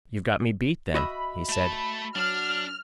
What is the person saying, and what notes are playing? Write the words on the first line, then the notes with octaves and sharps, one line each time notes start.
"You've got me beat then," he said.
F#4 D#5 E5 B5
A3 A5
F#3 D4 F6